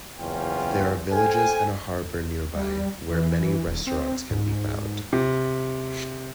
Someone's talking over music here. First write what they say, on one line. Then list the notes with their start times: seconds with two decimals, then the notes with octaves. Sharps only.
There are villages and a harbour nearby where many restaurants can be found.
0.20 F#1 E2 C4 C#4 F4 G5
1.12 A4 C5 F5 G5 G#5
2.55 G3
3.10 E3
3.67 D#1
3.87 C4
4.31 G#2
5.13 C3